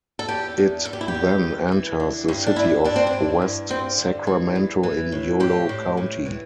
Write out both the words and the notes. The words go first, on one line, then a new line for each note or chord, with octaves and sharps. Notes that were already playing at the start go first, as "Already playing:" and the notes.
It then enters the city of West Sacramento in Yolo County.
A4
E2 G4
E2
E2 A4
G4
E4
G4
E2
E3
E3
D3
G2
D4
G2 E4
G2 D4
C4
D4
E3
G2
G2 C4
D3
E3
E2
E3
A2
A2 G4
A2
A2
E3